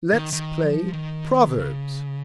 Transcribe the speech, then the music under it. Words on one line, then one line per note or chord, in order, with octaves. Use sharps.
"Let's play proverbs."
D#3
D#3
F3
D#3
C#3